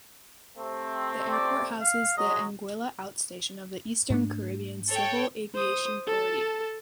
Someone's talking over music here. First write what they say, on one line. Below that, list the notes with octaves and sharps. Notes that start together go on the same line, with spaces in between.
The airport houses the Anguilla Outstation of the Eastern Caribbean Civil Aviation Authority.
C3 A3 C4
D5
F5
F#3 G#3 D#5
G#2 A3 D4
A4 C#5 G5
C5 D#6
A4 A5